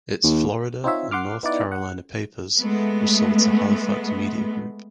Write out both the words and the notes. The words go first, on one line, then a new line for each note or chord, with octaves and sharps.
Its Florida and North Carolina papers were sold to Halifax Media Group.
D#2
C4 D#4 F4 C#5 E5
F#5 C6 D6 F6
B3 D#4 E4 D5 F#5
F#5
G#3 A3 B3